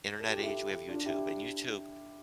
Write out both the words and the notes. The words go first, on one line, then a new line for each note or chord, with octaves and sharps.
internet age, we have YouTube, and YouTube,
A4
G4
F4
E4 G4
D4 F4
E4 G4